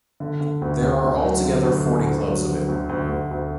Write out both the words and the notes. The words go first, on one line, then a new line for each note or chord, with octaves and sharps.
There are altogether forty clubs available.
D3
D3
D2
D2
D2
F#3
D3
D2
D3
D2
F#3
D3
D2
D2
D2
D2